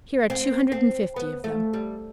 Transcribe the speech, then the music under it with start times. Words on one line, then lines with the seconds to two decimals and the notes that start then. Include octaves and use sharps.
"Here are two hundred and fifty of them."
0.30 C4
0.72 C4
1.16 B3
1.44 A3
1.73 G3